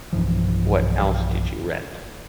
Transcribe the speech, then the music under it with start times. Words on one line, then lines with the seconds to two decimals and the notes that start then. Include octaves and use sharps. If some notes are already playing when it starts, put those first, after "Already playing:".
What else did you rent?
0.13 B1 G2 E3 F3